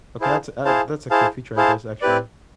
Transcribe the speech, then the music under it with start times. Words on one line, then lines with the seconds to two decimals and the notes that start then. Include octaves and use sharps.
Okay, uh, that's a that's a cool feature, I guess, actually.
0.20 E4 G#4 C5 F5 A5
0.65 E4 G#4 C5 F5 A5
1.10 E4 G#4 C5 F5 A5
1.56 E4 G#4 C5 F5 A5
2.01 C4 E4 G4 B4 D5